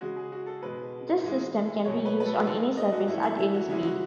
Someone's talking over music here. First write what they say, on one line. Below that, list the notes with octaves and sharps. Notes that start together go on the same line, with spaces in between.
This system can be used on any surface at any speed.
C#3 G#3 F#4
G#4
F#4
A4
B2 G#3 B4
A2 E3 G#3
B2 F#3 A3 C#5
B4
B4
A4
D#3 G#3 A4
D#5
F#4
A2 E3 A3 E4
E4
E4
F#4
C#3 E3 G#3 E4
F#4